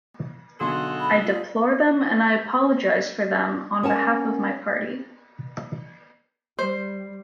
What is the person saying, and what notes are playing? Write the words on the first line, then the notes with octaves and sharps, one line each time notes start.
I deplore them and I apologise for them on behalf of my party.
B1 D3 F#4 G#4 A4 C6
B5
F4
C#4 A#4 C#5 F#5 A5
G3 C5